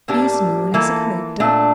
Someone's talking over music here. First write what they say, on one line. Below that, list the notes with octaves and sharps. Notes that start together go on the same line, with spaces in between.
"He is known as a collector?"
A2 G3 A#3 D4 G4
E3 A#3 F4 A4
A#2 A3 D4